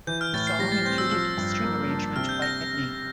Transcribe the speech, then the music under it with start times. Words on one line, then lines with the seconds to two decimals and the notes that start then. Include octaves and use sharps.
The song included a string arrangement by Edney.
0.07 E3 G6
0.21 F6
0.33 A2 A6
0.47 C7
0.59 G3 A#6
0.72 A6
0.85 C4 G6
0.98 E6
1.11 F3 E6
1.38 G2
1.64 A#3
1.90 D4
2.16 C3 F6
2.29 G6
2.42 A#6